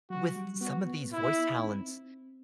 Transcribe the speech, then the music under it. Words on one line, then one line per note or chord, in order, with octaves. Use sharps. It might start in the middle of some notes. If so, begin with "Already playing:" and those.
with some of these voice talents,
F#3 F#4
G3
B3 F#4
E4
D#4
C4